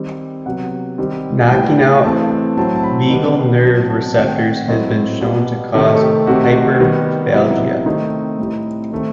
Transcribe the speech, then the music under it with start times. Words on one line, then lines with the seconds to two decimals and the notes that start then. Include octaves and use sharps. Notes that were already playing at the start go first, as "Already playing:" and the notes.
Knocking out vagal nerve receptors has been shown to cause hyperphagia.
Already playing: D#3 G3 C4
0.46 C3 F#3 B3 F#5
0.98 D#3 G3 C4
1.51 A2 G3 B3 G5
1.78 G5
2.04 E3 A3 C4 A5
2.30 A5
2.57 A2 F#3 C4 A5
2.76 A5
2.83 B5
3.10 D#3 G3 B3
3.63 B2 F#3 C4 A5
3.89 A5
4.16 D#3 A3 C4 F#5
4.27 G5
4.39 F#5
4.68 A2 F#3 A3 C4 D#5
5.21 B2 G3 B3
5.74 C3 D#3 A3 C4 A4
5.95 A4
6.01 G4
6.27 C3 D#3 A3 C4 F#4
6.36 G4
6.44 F#4
6.80 D#3 G3 B3
7.33 C3 F#3 B3 E4
7.51 D#4
7.86 D#3 A3 C4 D#4
8.39 A2 G3 C4
8.92 D#3 A3 C4